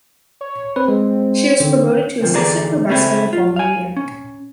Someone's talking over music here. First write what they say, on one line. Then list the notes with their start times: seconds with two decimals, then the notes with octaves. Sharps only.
She was promoted to assistant professor the following year.
0.41 C#5
0.76 C4 B4
0.88 G#3
1.60 D3 D#3
2.21 D2 C3 F3
2.33 D2 E3 G#4 A4 D5 A#5
2.89 C#3 G#3 A3 C4 C#4 E4
3.33 F4
3.56 F5 G#5
3.96 C#4